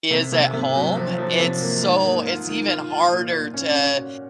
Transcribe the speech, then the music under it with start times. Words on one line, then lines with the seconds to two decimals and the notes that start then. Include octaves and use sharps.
is at home, it's so it's even harder to,
0.11 C3
0.32 C3
0.53 C3
0.75 F#3
0.97 F3
1.18 F3
1.40 C3
1.61 A#3
1.83 G#2
2.04 A#3
2.26 F4
2.47 D#3
2.68 F4
2.90 F4
3.12 A#2
3.32 A#2
3.54 C#4
3.75 C#4
3.97 F#4